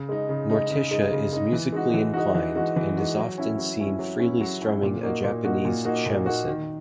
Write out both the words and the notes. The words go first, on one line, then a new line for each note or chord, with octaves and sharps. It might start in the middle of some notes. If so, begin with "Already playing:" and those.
Morticia is musically inclined, and is often seen freely strumming a Japanese shamisen.
Already playing: C#3
G#3 D#4
C#3
G#3 D#4
C#3
G#3 D#4
C#3
G#3 D#4
E3
G#3 D#4 F#4
E3
G#3 D#4 F#4
E3
G#3 D#4 F#4
E3
G#3 D#4 F#4
F#3
C#4 E4
F#3
C#4 E4
F#3
C#4 E4
F#3
C#4 E4
A#2
A#3 D#4 F#4
A#2
A#3 D#4 F#4
A#2
A#3 D#4 F#4
A#2
A#3 D#4 F#4
D#3